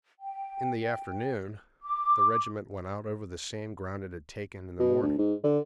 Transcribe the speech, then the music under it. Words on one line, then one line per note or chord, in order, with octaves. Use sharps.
In the afternoon, the regiment went out over the same ground it had taken in the morning.
G5
D6
B2
D2
G#2
D3